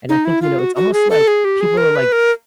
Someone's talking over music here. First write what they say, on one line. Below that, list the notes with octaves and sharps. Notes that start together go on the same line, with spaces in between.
And I think, you know, it's almost like people are like
D#4
E4
F4
F#4
F#4
G#4
A4
G#4
G4
G#4
A#4
B4
A#4